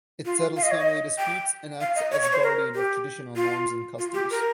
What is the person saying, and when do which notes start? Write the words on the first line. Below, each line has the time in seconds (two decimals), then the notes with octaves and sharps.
It settles family disputes and acts as guardian of traditional norms and customs.
0.25 F4
0.56 F5
0.63 D#5
0.71 C#5
0.79 D#5
1.18 G5
1.80 F5
1.96 D#5
2.12 C#5
2.22 C#5
2.33 C5
2.43 A#4
2.74 G4
3.36 F4
3.98 F4
4.14 G4
4.31 A#4